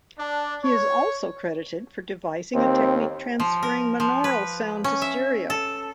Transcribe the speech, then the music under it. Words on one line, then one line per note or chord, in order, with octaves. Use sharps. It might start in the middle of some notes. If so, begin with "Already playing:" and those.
He is also credited for devising a technique transferring monaural sound to stereo.
D4
C#5
D#2 C4
F3
A#4
F3
B4
C#4
E5
A4